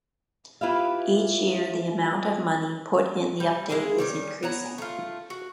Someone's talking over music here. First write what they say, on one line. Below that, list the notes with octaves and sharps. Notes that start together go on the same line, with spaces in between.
Each year the amount of money put in the update is increasing.
E4 F4 G4 B4 E5 F5
G3
G#3 A#3 E4 G#4
D#3 G3 C#4
B3 C#5 A#5
A3 F4
F#4